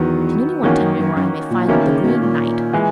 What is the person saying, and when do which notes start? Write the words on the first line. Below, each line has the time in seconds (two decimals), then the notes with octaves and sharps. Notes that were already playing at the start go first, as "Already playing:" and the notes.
'Can anyone tell me where I may find the Green Knight?'
Already playing: E2 D#3 F#3 B3
0.63 E2 D#3 A#3 C#4 F#4
0.81 F#2
0.99 F#2
1.16 F#2
1.51 A#2
1.68 B2 D#3 A#3 C#4 E4
1.86 C#3
2.03 B2
2.21 A#2
2.73 E3 G#3